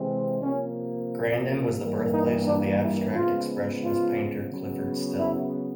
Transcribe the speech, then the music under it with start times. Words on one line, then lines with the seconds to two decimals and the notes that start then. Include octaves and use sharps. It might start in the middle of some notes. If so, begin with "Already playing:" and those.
Grandin was the birthplace of the abstract expressionist painter Clyfford Still.
Already playing: C3 E3 G#3 C4
0.42 C3 F3 A#3 C#4
1.79 G2 E3 G3 A#3
2.12 D#4
2.47 D4
2.80 E4
3.15 C#3 F3 G#3 B3 F4
3.84 F4
4.51 C#3 F#3 B3
5.19 E4